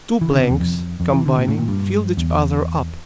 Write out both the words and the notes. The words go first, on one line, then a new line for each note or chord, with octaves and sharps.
Two blanks, combining, filled each other up.
E3
D3
C3
E2
F2
F2
E3
D3
A#2
A2
A#2
G2
E2